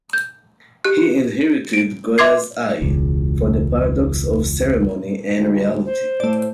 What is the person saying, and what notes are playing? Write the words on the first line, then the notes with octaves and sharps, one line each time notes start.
He inherited Goya's eye for the paradox of ceremony and reality.
G6
G4 F#6
D7
E5 C6 D6 G#6 C7
E1 C#2
D2
C5
A2 A3 D5